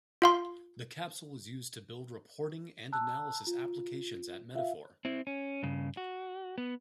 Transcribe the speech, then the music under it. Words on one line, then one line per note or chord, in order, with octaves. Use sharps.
The Capsule was used to build reporting and analysis applications at Metaphor.
F4 F5 C6
A5 A#5 E6 F#6
F4
F4 E5 F5
C4 E4
C#4
G2 C#3
F#4
B3